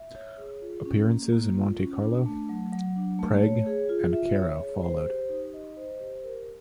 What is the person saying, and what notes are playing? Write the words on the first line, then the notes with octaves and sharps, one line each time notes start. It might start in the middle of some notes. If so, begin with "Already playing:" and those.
Appearances in Monte Carlo, Prague, and Cairo followed.
Already playing: E5
C#5
G#4
F4
C#4
A#3
A#3
F4
C#4
D4
A3
F#3
F#3
D4
A3
C#5
G#4
F4
E5
C#5
G#4
C5
G4
D#4
D#5
C5
G4
A#4